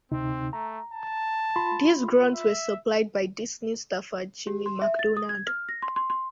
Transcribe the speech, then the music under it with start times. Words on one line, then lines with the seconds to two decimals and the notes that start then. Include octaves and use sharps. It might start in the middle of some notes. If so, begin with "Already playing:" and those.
These grunts were supplied by Disney staffer Jimmy MacDonald.
0.12 D2 C3 C4 D#4
0.53 A3 A#5
0.94 A5
1.56 F4 B5 C6
2.34 E5
4.47 G4
4.66 C6
4.82 E5
4.99 A6
5.17 D#6
5.29 G#6
5.47 F6
5.69 A#6
5.82 C6
5.96 C6
6.10 C6